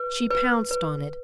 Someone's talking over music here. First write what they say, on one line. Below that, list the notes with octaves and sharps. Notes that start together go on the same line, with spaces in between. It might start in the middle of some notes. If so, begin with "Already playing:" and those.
She pounced on it.
Already playing: B4
B4
B4